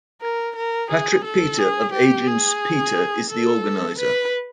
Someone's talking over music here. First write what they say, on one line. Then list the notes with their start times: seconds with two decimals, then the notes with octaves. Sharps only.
Patrick Peter of Agence Peter is the organiser.
0.22 A#4
0.56 A#4
0.90 G#4
1.24 A4
1.59 G#4
1.93 G4
2.27 G#4
3.29 A4
3.98 B4